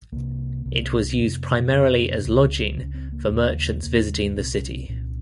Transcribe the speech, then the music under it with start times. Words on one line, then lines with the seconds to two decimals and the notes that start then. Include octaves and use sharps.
It was used primarily as lodging for merchants visiting the city.
0.12 C2 C3 A#3
0.65 C2 C3
1.18 F2 C3
1.72 F2 C3 C4
2.25 C#2 C#3
2.77 C#2 C#3 C#4
2.94 C4
3.12 A#3
3.30 D#2 C#3
3.83 D#2 C#3 A#3
4.10 G#3
4.36 C2 A#2 C4
4.54 C#4
4.72 C4
4.88 C2 A#2 C#4